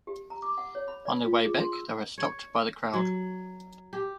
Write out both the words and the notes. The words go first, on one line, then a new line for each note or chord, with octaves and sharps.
On their way back they were stopped by the crowd.
G4
A#5
D6
F#5
C#5
B5
D5
F4
G#4
C6
E6
C#5
F#3
G4